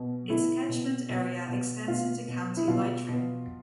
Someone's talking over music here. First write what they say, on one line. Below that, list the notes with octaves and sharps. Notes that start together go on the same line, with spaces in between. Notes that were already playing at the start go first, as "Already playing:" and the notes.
Its catchment area extends into County Leitrim.
Already playing: B2
B2 E4
B2
B2
B2
B2 F4
B2
E4
B2 F4
B2